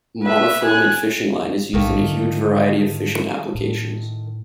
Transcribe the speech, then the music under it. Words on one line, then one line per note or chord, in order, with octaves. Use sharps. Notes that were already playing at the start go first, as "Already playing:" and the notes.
Monofilament fishing line is used in a huge variety of fishing applications.
B4 E5
G#5 F#6
B1 A2 C3 D#3 A3 A#3
G#2 D3 F#3
A2